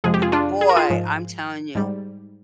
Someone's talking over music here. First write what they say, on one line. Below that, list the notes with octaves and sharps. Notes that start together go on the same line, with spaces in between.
And boy, I'm telling you,
F2 C3 F3 G#3 G#4
G4
F4 G#4
D4 F4
G#4
A#4
F4 G#4
G#2 F3 G#3
G#2 G3